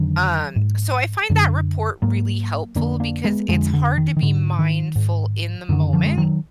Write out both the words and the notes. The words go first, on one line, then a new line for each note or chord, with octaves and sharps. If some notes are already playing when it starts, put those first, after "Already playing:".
um, so I find that report really helpful because it's hard to be mindful in the moment
Already playing: F2 D3 D#3 F#3
G#2
F#2 D3
G#2 F#3 A#3
F2 D3 A#3 D4
A#3 D4
G#3 B3
F2 D3 F3 G#3
D3
D#3
D#3
G#2 D3
D#3
G#2
F#2 D3 D#3
D3 F3
G#3
D#3 F#3